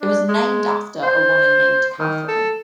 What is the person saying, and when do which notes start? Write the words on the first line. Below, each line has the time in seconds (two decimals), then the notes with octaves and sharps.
It was named after a woman named Kathryn.
0.01 D4
0.28 G#3
1.03 C5
1.99 D#3
2.28 A4